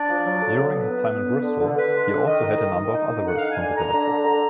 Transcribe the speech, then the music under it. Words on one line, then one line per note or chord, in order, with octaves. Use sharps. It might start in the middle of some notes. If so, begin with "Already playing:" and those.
During his time in Bristol, he also had a number of other responsibilities.
Already playing: D4 D5
F3
F#3
D3
B3
B3 B4
B3
B3
D3
D3
D3
D3 B4
G#3
D3
D#3 D#5
D#3
D#3
D#3
D#4
D#3
D3 F#5
F5
D#4 F#5
G#5
D3
D3 A#5
D3
D3
D3